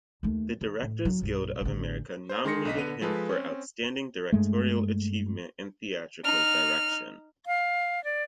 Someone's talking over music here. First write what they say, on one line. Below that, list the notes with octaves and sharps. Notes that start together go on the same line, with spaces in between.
The Directors Guild of America nominated him for Outstanding Directorial Achievement in Theatrical Direction.
D#2 A3
D#3
A2
F#3
B1 G2
A1 D3
C5
D#3 G#3 C6 A#6 C#7
B1 D#5 B6
D3 B3 D#7
F3 G#3 A4 B4
C4 C#4
G2 G#3 A3
D#4 F6
F5
D5